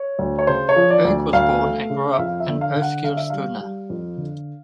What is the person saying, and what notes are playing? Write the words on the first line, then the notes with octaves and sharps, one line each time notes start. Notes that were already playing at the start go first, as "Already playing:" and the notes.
Berg was born and grew up in Eskilstuna.
Already playing: C#5
D2
C#5
C#3 C5
C#5
F3
D5
D2
D2 F5
A3
C#3
E5
F2 F5
E5
D3
F5
D3
F#5
D3 F5
E5
G3 F5
G3
F2
D3